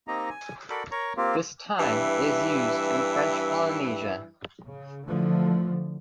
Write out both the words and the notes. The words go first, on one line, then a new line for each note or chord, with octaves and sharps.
This time is used in French Polynesia.
A#3 C4 D#4 G4 D#5 A#5
G#5
F#4 A4 A#4 D5 B5
A#4 C#5 A#5 C#6
A#3 C4 F4 G4
G2 E3 E5
C#3
D3 E3 F3 A3